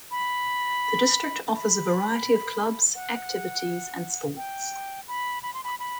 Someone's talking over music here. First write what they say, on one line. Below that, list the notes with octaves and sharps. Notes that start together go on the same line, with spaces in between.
The district offers a variety of clubs, activities and sports.
B5
B5
F#5
G5
B5
B5
C6
B5
B5